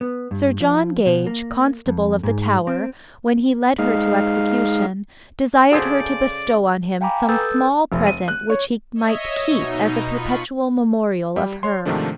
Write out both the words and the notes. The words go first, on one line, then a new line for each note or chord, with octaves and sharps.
Sir John Gage, constable of the Tower, when he led her to execution, desired her to bestow on him some small present which he might keep as a perpetual memorial of her.
B3
G2
F3
B2
A#3
F2
G#2
C4
G#3 D#4 F5
C#3 F#4 G#4 A4 C5 D5
F5 G5 G#5 A#5 B5 D6
A4 B4 D#6 E6 G6 A6
F1
D#7
F#6
C#5
C#5 D#5 E5
B2 D#4
F4 B5 C#6
G3
C#5 C6
G#2 C3 D#3 F3 A3 D4